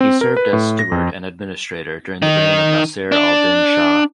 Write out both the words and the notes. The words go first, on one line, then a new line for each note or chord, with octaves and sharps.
He served as steward and administrator during the reign of Nasser al Din Shah.
C4
A#4
B4
A2
A#6
F2
D#3 D#4
D4